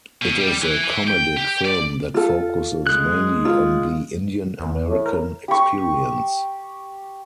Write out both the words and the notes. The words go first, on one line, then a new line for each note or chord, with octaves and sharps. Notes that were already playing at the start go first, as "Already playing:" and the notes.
It is a comedic film that focuses mainly on the Indian American experience.
B2
G3
E3
E3
G5
G4
D5
F4 A4
G#3 F#6
F4
E2
A2
A#4
G4 C#6